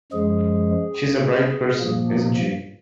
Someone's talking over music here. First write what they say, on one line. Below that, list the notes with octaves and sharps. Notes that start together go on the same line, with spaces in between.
She's a bright person, isn't she?
F#2 F3 G#3 G#4
A#2 F3 A#3